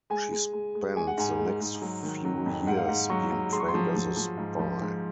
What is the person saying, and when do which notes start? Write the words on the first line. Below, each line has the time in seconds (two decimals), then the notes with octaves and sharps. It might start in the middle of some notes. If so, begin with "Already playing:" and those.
She spent the next few years being trained as a spy.
0.10 G#3 G#5
0.32 G#3
0.53 G#3
0.75 G#3
0.96 G#3 G#5
1.07 F#5
1.17 G#2 G#5
1.39 G#3
1.60 G#2
1.82 F#3
2.03 D#3
2.25 F#3
2.46 F2
2.67 G#2 F#5
2.76 F5
2.85 G#2 F#5
3.09 F#3 C#6
3.31 F#3
3.52 G#3 C6
3.60 C#6
3.69 C6
3.74 F3
3.96 F3
4.17 F3
4.37 G#2
4.59 F3
4.81 G#2